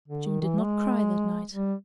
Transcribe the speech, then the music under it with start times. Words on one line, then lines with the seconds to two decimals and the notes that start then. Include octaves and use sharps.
June did not cry that night.
0.08 D3
0.27 D#3
0.41 D#3
0.45 E3
0.63 G#3
1.53 G3